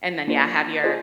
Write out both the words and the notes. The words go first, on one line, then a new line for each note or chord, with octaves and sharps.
and then, yeah, have your
A#3 D4 F4 C5
F4 G#4 C5 D#5